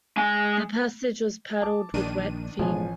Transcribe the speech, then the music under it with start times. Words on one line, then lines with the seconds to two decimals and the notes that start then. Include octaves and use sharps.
The passage was paddled with wet feet.
0.17 G#3 G#5
1.62 A5 D6
1.94 A#1 D#3 D4 D#7
2.59 A1 B2 F3 G#3 A3 G#5